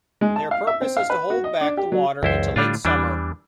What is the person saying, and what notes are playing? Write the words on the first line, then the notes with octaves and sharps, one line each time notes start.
Their purpose is to hold back the water into late summer.
G#3
A5
F5
E5
C4
F5
B4
F#4
D#5
D4
G4
F#3
C#2 F#2 E3 E4 C5
A2 D3 G3 D4 F4
E2 E3 G3 D4